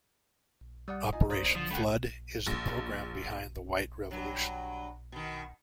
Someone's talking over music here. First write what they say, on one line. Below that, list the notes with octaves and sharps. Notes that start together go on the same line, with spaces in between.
Operation Flood is the program behind the white revolution.
G3 D5 F#5 D#6
D#4 F4 D#5 G#5
C5 D5 A#5 D#6
D3 F3 D#6
A3 D4 F#5 G5 B5
A#1 A#6
G2 F#3
B2 D#3